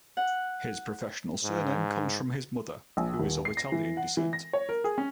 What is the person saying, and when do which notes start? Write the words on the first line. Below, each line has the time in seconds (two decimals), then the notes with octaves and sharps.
His professional surname comes from his mother, who is of Italian descent.
0.17 F#5
1.43 G#2
2.97 A#1
3.20 D#1
3.45 C7
3.57 A#6
3.72 E3
3.97 F#5
4.17 E3
4.33 A#6
4.53 C#5
4.69 A#4
4.84 G#4
4.98 C#4